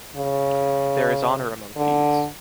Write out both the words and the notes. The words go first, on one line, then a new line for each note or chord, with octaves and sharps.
There is honor among thieves.
C#3
D3